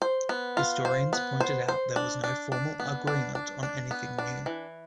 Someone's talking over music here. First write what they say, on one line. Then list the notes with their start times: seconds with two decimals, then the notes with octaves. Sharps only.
Historians pointed out there was no formal agreement on anything new.
0.02 C5
0.29 B3
0.57 F4
0.85 C5
1.13 B3
1.40 C5
1.68 C5
1.96 D4
2.24 D4
2.52 D4
2.80 B3
3.07 D4
3.35 D4
3.63 D4
3.91 B3
4.18 D4
4.46 E3